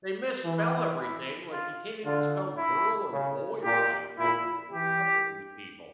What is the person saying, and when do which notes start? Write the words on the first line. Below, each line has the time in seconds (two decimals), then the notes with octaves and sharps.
They misspell everything, like, you can't even spell "girl" or "boy" right, what do wha what's up with these people?
0.44 E3
0.98 E4
1.52 F4
2.05 D3 F4
2.58 E4
3.12 C#3
3.65 A#2 G4
4.19 A#2 E4
4.71 E3 G4